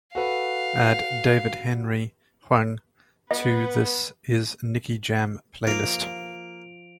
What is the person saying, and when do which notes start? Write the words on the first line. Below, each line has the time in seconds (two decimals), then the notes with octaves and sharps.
Add david henry hwang to the This Is Nicky Jam playlist.
0.15 F#4 A4 B4 F5
3.31 B3 B4 D#5
5.67 F3 A#3 F5 D7 F7